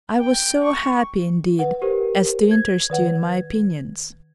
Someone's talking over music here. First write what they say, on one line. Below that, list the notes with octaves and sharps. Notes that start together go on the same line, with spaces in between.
I was so happy indeed as to interest you in my opinions....
G5
C#6
B4 F#5
G4 A#4 C5
G#6
D#3 B4 F#5